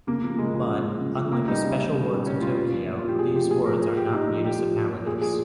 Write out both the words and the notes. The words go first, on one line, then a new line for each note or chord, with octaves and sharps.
But, unlike the Special wards of Tokyo, these wards are not municipalities.
C#3 A#3
F3 A#3
C#3 G#3
F3 G#3
C#3
F3
C#3
F3
C#3 A#3
G3 D#4
C#3
G3
C#3
G3
C#3 C#4
G3 F4
A#2
F3
A#2
F4
F3 G4
A#2 G#4
F3 G4
A#2 G#4
F3 A#4
A#2 G#4
F3 G4
A#2 D#4
F3
A#2 G4
F3
A#2
F3
A#2 G#4
F3 G#4